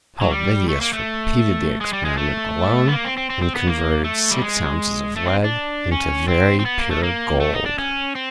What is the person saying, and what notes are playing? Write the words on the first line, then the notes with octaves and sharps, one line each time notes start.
Helvetius repeated the experiment alone, and converted six ounces of lead into very pure gold.
F#3
G3
A3
A#3
A3
G#3
G3
G#3
A3
B3
A#3
C4
C4
C4
C4
B3
A#3
A3
G3
G#3
A3
C4
D4
C#4
C4
C4
B3
A#3
A3
A#3
A3
D#4
D4
C#4
C4